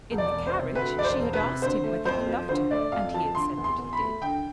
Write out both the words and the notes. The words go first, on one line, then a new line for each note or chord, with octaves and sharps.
In the carriage she had asked him whether he loved her, and he had said that he did.
E1
D5
E1
C5
C3
D2 B4
E1 D5
C5
E1
B4
C3
D3 C5
A3
F2 C5
F3
D3 C5
A3 D5
F2 F5
F3 A5
D3 C6
E2
C6
E2
B5
A3
D3 G5